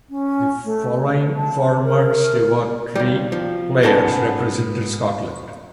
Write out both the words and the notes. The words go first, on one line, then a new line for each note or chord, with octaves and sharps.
The following former Stewartry players represented Scotland.
C#4
A3
A5
A#4
D#2 G3
F3
G#2 B3 C#4 F#4 A4 A5